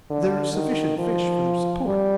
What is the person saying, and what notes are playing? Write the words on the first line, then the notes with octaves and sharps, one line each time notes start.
There are sufficient fish for their support.
D3
D#3
F3
G3